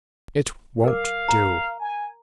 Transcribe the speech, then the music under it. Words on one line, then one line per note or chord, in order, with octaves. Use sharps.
It won't do.
A#4 F5 D6
A#5
G#5